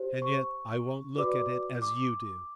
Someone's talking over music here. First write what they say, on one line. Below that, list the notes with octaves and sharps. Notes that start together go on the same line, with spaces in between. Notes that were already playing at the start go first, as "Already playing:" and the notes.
And yet I won't look at it as you do.
Already playing: G4 C5
C#6
F#4 B4 D5 D6
D6